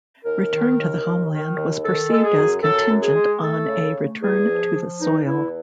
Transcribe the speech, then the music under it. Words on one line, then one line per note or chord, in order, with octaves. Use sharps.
Return to the homeland was perceived as contingent on a return to the soil.
D#2 A#4
D#3
D#2
D#2
D#3
D#2
D#3 A4
G#3 A4
G#4
F#2
F#2 A4
F#2
G#4
G#3
A3 A4
C#3
A3
E2 G#4
F3
F3
E2 D#4
E2 E4